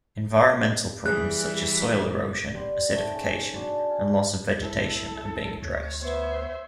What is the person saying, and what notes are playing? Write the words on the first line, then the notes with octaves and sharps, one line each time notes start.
Environmental problems such as soil erosion, acidification, and loss of vegetation are being addressed.
E3 G3 G#4 F#6
G3 B3 C6
A3 D#4 G5
C#4 G#4
D4 F#4 C5 C#5
F5 G#5 A5
C2 E4 A4
D2 C#5
B3 C5 E5